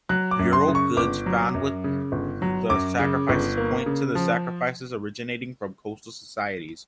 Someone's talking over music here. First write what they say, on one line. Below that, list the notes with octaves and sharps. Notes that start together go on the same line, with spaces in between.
Burial goods found with the sacrifices point to the sacrifices originating from coastal societies.
F#3 F#6
D6
F#2
C6
C#3
C#6
G1 D6
F#3
F#2
C#3
G1
F#3
F#2 D6
C#3
G1
A#3
C#3
F3